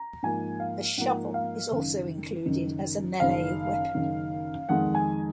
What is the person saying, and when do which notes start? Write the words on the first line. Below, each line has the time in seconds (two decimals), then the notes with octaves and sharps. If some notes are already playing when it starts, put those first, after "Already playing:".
A shovel is also included as a melee weapon.
Already playing: A#5
0.23 G#2 F3 A#3 G#5
0.60 F5
0.97 G#2 F3 A#3 F#5
1.34 F5
1.71 F#1 F#2 D#3
2.46 F#1 F#2 D#3
3.20 F#1 F#2 D#3 F5
3.95 F#1 F#2 D#3
4.69 F2 D#3 G#3 F#5
4.95 G#5